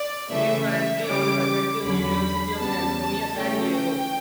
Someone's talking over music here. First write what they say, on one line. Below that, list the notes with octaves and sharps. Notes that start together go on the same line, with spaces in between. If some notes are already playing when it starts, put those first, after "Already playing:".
He is currently on the faculty of the University of California, San Diego.
Already playing: D5
C#3 E3 A3 E5
E5
C#3 E3 G3 C#4 D6
D6
E2 D3 F#3 C#4 B5
E2 C#3 G3 B3 A5
C#3 E3 A3 C#4 G5
G5